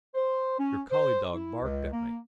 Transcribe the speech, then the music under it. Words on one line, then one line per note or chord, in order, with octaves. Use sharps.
Your collie dog barked at me.
C5
C#4
C5
E4
C#2
A#3